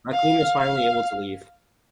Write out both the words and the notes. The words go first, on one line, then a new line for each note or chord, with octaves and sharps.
Maclean was finally able to leave.
F5
F5